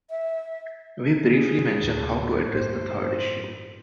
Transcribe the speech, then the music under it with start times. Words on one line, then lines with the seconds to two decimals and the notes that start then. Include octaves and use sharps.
We briefly mention how to address the third issue.
0.10 E5
1.23 G#4
1.80 D2 A2
2.51 G1 A2 C5